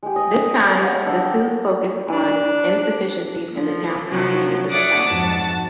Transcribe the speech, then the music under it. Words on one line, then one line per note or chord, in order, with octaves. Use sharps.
This time, the suit focused on insufficiencies in the town's comprehensive plan.
G#3 G4
D#5
D6
C#5 D#5 F5 F#5
D4 E5
D#5 G5
D4
F3
C3 F3 F#3
C#5 D5 E5 F#5 D6 D#6
F2 G#2 F#4 A5